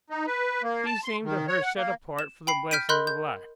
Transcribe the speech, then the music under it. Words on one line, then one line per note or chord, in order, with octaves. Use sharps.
He seemed to her set apart for the blessings of life.
D#4
B4
A#3
A5
C6
D#3
C#5
F#5
A#3
E7
G5 B5 C7
F6 G6 B6 D7 D#7
A#4 D#5 B5 C6 F#6 G6
G6